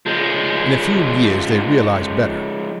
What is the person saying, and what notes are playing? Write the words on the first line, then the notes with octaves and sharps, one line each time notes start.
In a few, years they realised better.
F3 G#3